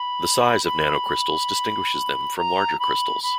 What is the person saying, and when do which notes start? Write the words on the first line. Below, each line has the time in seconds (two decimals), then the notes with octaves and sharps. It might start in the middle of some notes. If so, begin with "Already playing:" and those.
The size of nanocrystals distinguishes them from larger crystals.
Already playing: B5
0.65 B5
2.37 A#5
2.80 B5
3.23 B5